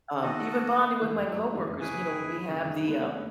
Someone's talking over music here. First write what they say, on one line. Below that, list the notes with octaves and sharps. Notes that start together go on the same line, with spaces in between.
um, even bonding with my coworkers, you know, when we have the, um,
D#3 F#4 A4 D#5
E3 G#3
F#3 A3
E3 G#3
C#3 E3 E4 G#4 B4 E5 G#5
D#3
C#3
D#3
G#3 B3
A3 C#4